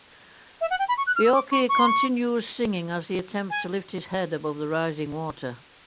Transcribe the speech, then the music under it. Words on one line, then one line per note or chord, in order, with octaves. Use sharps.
Yorke continues singing as he attempts to lift his head above the rising water.
E5
F#5
G5
B5
C#6
F#6
F6
E6
D6
C#6
C#6
C6
C#6
G#5